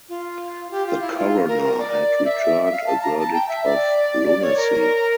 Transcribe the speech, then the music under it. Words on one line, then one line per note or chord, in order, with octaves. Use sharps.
The coroner had returned a verdict of lunacy.
F4
G4
F4
E4
F4
A#4
A#4
D5
E5
E5
F5
A5
A#5
A5
G5
E5
D5
C#5
A#4